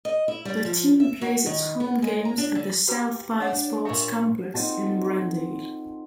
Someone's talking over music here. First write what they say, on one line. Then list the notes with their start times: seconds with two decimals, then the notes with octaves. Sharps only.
The team plays its home games at the South Pine Sports Complex in Brendale.
0.05 D#5
0.28 E4
0.45 G3
0.65 F3
1.00 E5
1.21 F#4
1.46 D#3
1.80 B3
2.02 G#3
2.25 A#5
2.38 D4
2.55 D3
2.87 F#4 G4 B4 A#5
3.40 D4 C#5 F#5
3.85 A#2 A3 E5 C#6
4.54 C4 D#4 F4 F#4 A4